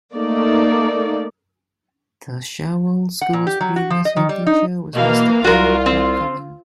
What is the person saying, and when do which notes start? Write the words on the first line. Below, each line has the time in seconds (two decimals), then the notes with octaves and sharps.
The Cherwell School's previous headteacher was Mr N McGowan.
0.15 A3 A#3 D#4 D5
3.21 F#5
3.33 A#2
3.47 G4
3.61 F#3
3.76 F#4
3.90 F3
4.05 D#5
4.17 D#3
4.29 G3
4.47 D#4
4.95 B2 E3 A#3 F5
5.44 C2 F4 F#4 A#4
5.86 C4